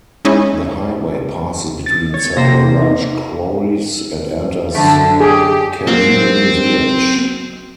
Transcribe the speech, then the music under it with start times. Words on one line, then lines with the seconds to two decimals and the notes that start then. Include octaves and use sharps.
The highway passes between several large quarries and enters Caledon Village.
0.25 G#3 C#4 D#4 E4 C#5
1.86 A6
2.14 C#5
2.37 C3 A#3 C5 A#6
2.82 D#4
4.75 F#2 D3 A3
5.20 G4 G#4
5.87 F#3 A#3 C4